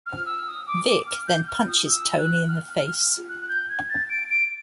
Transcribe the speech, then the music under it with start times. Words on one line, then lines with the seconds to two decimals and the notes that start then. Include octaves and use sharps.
Vic then punches Tony in the face.
0.06 F6
0.26 E6
0.47 D#6
0.67 D6
0.87 D6
1.07 F6
1.27 G6
1.47 F6
1.68 D#6
1.88 E6
2.18 F#6
2.48 F6
2.78 F6
3.29 F#6
3.41 F#6
3.49 G6
3.69 G#6
3.90 A6
4.10 D7
4.30 D7